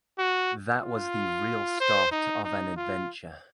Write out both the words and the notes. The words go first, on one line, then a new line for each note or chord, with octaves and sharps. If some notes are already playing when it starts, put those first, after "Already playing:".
That was the real start of an adventure.
F#4
F4
C5
D#4
D#4
F4